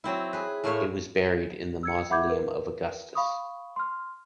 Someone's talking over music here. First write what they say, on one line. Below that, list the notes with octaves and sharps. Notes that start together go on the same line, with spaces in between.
It was buried in the Mausoleum of Augustus.
F#3 C4 E4
G#4 B4
A2 A3 A#3 C5 C#5 E5
E6 G#6 C#7
E5 F#5 B5 D6 G6 G#6
A#4 B4
F5 B5 C#6 D#6
C6 F6